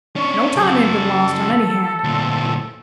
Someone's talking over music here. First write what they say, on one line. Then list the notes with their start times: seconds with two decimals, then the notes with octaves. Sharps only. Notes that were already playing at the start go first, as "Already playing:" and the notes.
No time ain't been lost, on any hand.
0.16 C#4 D4 C#6
0.55 C#3 F#3 A4
2.04 D2 A#2